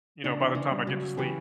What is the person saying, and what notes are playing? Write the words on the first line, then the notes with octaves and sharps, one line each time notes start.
you know, by the time I get to sleep.
C#3 D4
E3
C#3 D4
G3
C#3 F#3
F#3
C#3 E3 G4